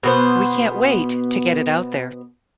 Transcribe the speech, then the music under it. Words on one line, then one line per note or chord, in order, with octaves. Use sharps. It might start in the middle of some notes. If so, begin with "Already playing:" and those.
We can't wait to get it out there.
B2 B3 C5